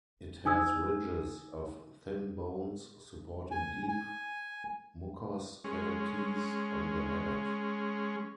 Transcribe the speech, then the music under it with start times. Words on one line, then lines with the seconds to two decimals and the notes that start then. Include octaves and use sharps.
It has ridges of thin bones supporting deep mucous cavities on the head.
0.45 D#4 G#5 D#6 E6 G#6
3.51 G#5
3.89 G#5
5.64 G#3 C#4